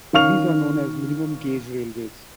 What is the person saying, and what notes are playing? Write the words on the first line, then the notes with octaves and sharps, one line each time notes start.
These are known as minimum gauge railways.
D#3 C#4 F5 C#6 F6 F7